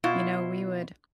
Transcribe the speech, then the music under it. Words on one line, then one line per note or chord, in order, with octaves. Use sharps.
You know, we would
B2 E4 F4